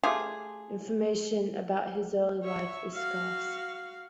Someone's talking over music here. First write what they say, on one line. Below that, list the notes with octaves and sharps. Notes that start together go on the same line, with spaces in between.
Information about his early life is scarce.
A3 F4 G4 G#4
C#5 E5
F#4 F5